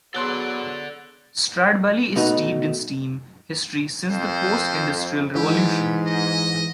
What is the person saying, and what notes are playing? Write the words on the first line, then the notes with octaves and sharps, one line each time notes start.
Stradbally is steeped in steam history since the post industrial revolution.
F#3 B3 G#4 A4 D5 C6 F#6 G7
B2 A3 D#4 B4
F2 C5
G#2 E3 G4
D#5